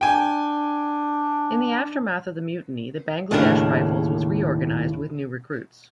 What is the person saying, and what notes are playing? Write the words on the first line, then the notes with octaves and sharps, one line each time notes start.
In the aftermath of the mutiny, the Bangladesh Rifles was reorganised with new recruits.
D4 G5 G#5
D#2 A2 C#3 D4 A#4